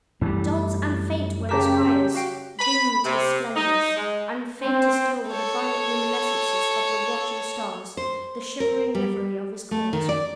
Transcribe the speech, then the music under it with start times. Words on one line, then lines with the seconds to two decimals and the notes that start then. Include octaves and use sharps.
Dulled and faint were his fires, dimmed his splendors; and fainter still were the violet luminescences of the watching Stars, the shimmering livery of his court.
0.21 F#2 E3 F#3 G3 A3
1.49 C#3 G4 A#4 A5 A#5 B6
2.15 F#4 F5 G5
2.59 B5
3.04 C3
3.56 D#4
3.97 G#3
4.61 C4
5.29 A4 C#5
7.97 C5
8.60 A#4
8.95 G3
9.71 A3
9.93 D#3
10.09 D5